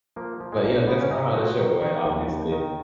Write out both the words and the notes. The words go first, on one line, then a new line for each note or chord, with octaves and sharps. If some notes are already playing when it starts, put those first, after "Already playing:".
But, you know, that's not how to show went, obviously.
F3 A#3
F3
G#3
A#1 A#3
G#2 B3
C#4
G#2 D#4
F3 F#4
D#3
D#3
D#2
D#2
D#3